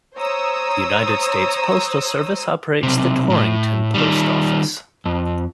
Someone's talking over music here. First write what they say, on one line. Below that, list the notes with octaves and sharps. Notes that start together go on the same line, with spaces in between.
The United States Postal Service operates the Torrington Post Office.
C5 C#5 A#5 D#6 E6
B1 C3
A2
D#3 G3
F2